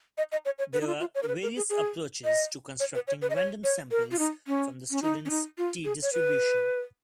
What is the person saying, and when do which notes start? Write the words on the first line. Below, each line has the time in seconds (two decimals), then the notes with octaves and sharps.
There are various approaches to constructing random samples from the Student's "t"-distribution.
0.18 D#5
0.32 D#5
0.45 C#5
0.58 C#5
0.73 B4
0.81 D#4
0.87 F4
1.00 F4
1.15 C#5
1.23 A#4
1.28 B4
1.43 A#4
1.56 G#4
1.70 G#4
2.25 D#5
2.80 C#5
2.95 B4
3.08 C#5
3.22 B4
3.30 D#5
3.36 C#5
3.64 C#5
3.91 A#4
4.11 F4
4.19 D#4
4.47 C#4
4.91 C#4
5.02 D#4
5.25 C#4
5.30 D#4
5.58 F4
5.85 G#4
6.02 C#5
6.13 B4